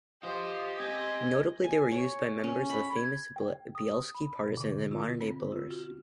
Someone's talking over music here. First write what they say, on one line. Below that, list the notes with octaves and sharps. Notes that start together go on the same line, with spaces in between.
Notably they were used by members of the famous "Bielski partisans" in modern-day Belarus.
F4 G4 C5 D#5
C4 D#5 G#5
G#5
C#5
C#4
B5
G#6
G5
D#6
B5
B2
D3
F4
C4
F4
F#4